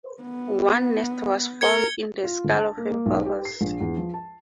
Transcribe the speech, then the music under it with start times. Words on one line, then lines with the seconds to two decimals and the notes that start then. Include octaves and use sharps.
One nest was found in the skull of a walrus.
0.22 B3
1.61 A#4 G#6 C#7 G7
2.23 F4
2.44 G1
2.58 A5
2.77 A#3
2.90 A#3
3.06 B1
3.26 G4
3.45 C7
3.61 A#1
3.80 E2
3.97 F3
4.14 A5